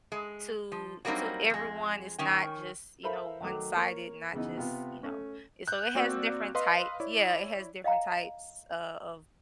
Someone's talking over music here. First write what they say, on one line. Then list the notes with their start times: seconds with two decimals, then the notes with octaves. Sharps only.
to to everyone, it's not just, you know, one-sided, not just, you know? And so it has different types yeah, it has different types o of
0.12 G#3
0.72 F3
1.05 F#3 G3 A#3 C4 D#4
1.50 F2 G#3
2.18 D#3 C#4 G5
3.03 A4 A#4 C5 E5 F5 B5
3.41 D#3 F#3 A3 D6
3.76 A#3 C#5 C#6
4.33 C#3 E3 B3 D#4
4.57 C3 B3 F4
5.03 A3 C#4
5.68 F#6 G6
5.95 A#3 C4 F#4 D5 E6
6.55 B4 D#5 F5 C6
7.00 E4 C#5 D5
7.84 D#5 F5 G5 A#5